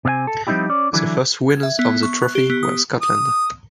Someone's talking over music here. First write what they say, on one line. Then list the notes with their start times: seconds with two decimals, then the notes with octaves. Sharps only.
The first winners of the trophy were Scotland.
0.05 C3 C4 F5 G#5
0.27 A4
0.47 F3 G3 C4 D#4 E4 G4
0.69 C#4 D5
0.93 D3 E3 F#3 E4
1.50 G#6
1.63 E5
1.79 B3
2.03 C#6
2.22 F#6
2.35 G4
2.50 B3
2.63 D#6
3.02 D#6